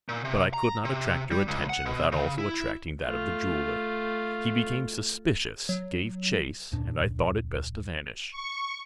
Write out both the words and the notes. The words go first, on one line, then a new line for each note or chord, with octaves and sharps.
But I could not attract your attention without also attracting that of the jeweler. He became suspicious, gave chase, and I thought it best to vanish.
A#2
C3
A#5
C3
G3
C#2
F#5
B2
C#3
E4
A3 F4
F#3
D1 F2 A#2 D4
C#6